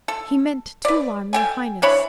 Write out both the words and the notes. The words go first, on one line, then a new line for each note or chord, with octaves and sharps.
"He meant to alarm your highness."
A4
B4 D5
A4 G5 G#5
E3 D4 C#5 B5